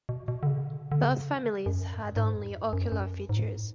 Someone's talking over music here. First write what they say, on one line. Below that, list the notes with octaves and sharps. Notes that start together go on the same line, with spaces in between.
Both families had only ocular features.
B2
B2
D3
C#3
D3
D3
C#3
F#2
G#2
G#2
F2
F#2
F#2
F#2
G#2
A2
G#2